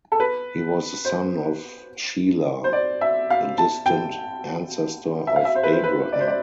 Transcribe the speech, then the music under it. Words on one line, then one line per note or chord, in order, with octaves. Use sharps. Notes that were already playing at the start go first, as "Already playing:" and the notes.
He was the son of Shelah a distant ancestor of Abraham.
A4
B4
C5
C5
D5
E5
F5
A5
G5
E5
F5
E5
C5
B4
C5
B4
D5
C5
D5